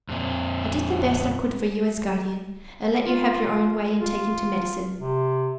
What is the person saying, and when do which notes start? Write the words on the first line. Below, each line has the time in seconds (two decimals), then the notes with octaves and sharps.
I did the best I could for you as guardian, and let you have your own way in taking to medicine.
0.09 F2 A#2 C4
3.04 F4
4.00 F4
5.00 C3